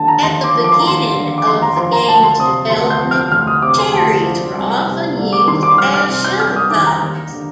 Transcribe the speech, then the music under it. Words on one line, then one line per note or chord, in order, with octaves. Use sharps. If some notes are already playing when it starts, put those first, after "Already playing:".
At the beginning of the game's development, cherries were often used as shuttlecocks.
Already playing: D#2 D3 A5
A#5
D#2 C6
D6
F3
D6
C6
A#5
D#2 C6
D3
D6
D#2 C6
A#5
F3 C6
A#5
D2 A5
C6
C3 D#6
D2 C6
G6
F3
F6
D2 F6
D#6
C3 D6
C6
D2 A5
F3
C2
C3
C2
D6
D#3 C6
D6
C2 F6
F6
C3
G6
C2 F6
D#6
D#3 D6
A#5
D#2
D3